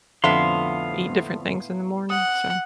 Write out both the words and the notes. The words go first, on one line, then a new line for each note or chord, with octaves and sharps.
eat different things in the morning. So.
F2 A2 D3 F3 B3 E5 F5 C6
F#5 D#6